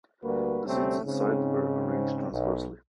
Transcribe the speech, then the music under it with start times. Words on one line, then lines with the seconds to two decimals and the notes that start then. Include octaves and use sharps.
The seeds inside are arranged transversely.
0.24 D2 G3 A#3 F#4 B4
0.66 D2 C3 G3 A3 C4 C#4
1.05 G#2 C#3 C4
2.32 B1